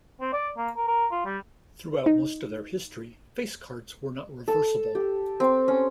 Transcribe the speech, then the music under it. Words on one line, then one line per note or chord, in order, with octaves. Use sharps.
Throughout most of their history, face cards were not reversible.
C4
D5
A#3
A#4
A#4
F4
G3
D#4
A4
G4
C4
C#4